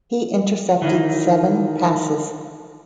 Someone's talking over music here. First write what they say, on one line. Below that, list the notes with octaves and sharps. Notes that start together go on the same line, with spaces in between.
He intercepted seven passes.
D#3 E3